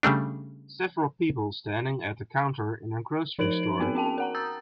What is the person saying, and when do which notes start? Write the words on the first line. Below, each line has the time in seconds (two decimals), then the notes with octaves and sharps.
Several people standing at a counter in a grocery store.
0.03 C#3 G3 A3 D4
3.39 F3 D#4 A#4 C5 D7 F#7
3.79 B3 C4 D#4 F#4 G#4 A#4
3.95 C#4 F#4 G5 A5
4.18 A#4 F#5 A#5
4.35 A#5 D#6 E6 G6 A6